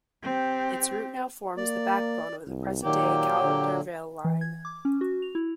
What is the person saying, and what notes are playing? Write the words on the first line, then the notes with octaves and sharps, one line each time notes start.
Its route now forms the backbone of the present-day Caldervale Line.
C4 G4
A#3 D5
C2
A#2 D#3 F#3 A#3 G4
D3
E3
G#6
D6
C#4
F#4
F7
E4